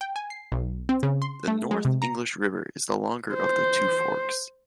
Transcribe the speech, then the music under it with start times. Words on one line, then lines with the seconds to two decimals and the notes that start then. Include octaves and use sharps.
The North English River is the longer of the two forks.
0.01 G5
0.16 G#5
0.30 C7
0.52 B1
0.89 C4
1.03 C#3
1.22 C6
1.48 A3
1.71 G#3
1.85 C3
2.02 A#5
3.34 C5